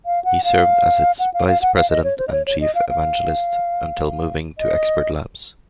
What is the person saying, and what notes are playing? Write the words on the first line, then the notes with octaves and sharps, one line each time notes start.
He served as its Vice President and Chief Evangelist until moving to Expert Labs.
F5
F#5
F5
F#5
F5
F5
F#5
F5
D#5
C#5
C5
D#5
C#5
C#5
D#5
F5
F5
D#5